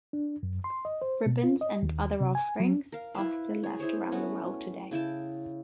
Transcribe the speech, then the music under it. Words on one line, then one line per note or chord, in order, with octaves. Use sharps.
Ribbons and other offerings are still left around the well today.
D4
F#2
C6
D#5
C5
B2
F4
D#5
D#2
C3
G#5
F#3
A#4 F5
E4 B4 E5 F5
G#4 C#5
E4 G#4 C5 C#5
A3 B3 C#4 F#4
C#3 E4 G5 A5